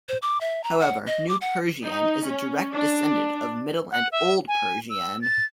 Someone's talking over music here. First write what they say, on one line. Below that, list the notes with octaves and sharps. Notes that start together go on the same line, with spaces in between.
However, New Persian is a direct descendent of Middle and Old Persian.
C5
D6
E5
A#5
F#5
D#5
D6
F#5
D#4
C#4
D4
F#5
E5
G#5
E6
A6